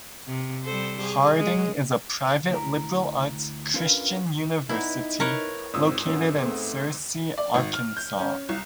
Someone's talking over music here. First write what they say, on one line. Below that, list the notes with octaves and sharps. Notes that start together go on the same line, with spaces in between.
Harding is a private liberal arts Christian university located in Searcy, Arkansas.
C3
G3 A4 C5
G#4
G#3
D2 E4 A#5
C#4 D4 F4 A#4 B4
B3 D#4 E4 D5 A#5
A#4 B4 C#5
G#2 C4 F4 D5 D#6 E6
F#2 A#3 B3 C#4
A3 B3 C4 G#4
D5
G#1
F6
G6
C#4
C2